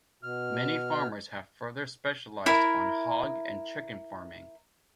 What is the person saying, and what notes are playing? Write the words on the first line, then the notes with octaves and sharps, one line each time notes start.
Many farmers have further specialized on hog and chicken farming.
B2 F6
E4 A#4